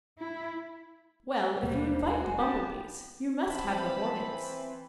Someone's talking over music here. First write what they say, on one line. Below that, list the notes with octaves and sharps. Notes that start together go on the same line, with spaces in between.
"Well, if you invite the Bumble-Bees, you must have the Hornets."
E4
D#2 B2 G3 G#3 A#3 C5
F#4 C5 G#5
B3 C4 G4 A5
E3 C4 A5 B5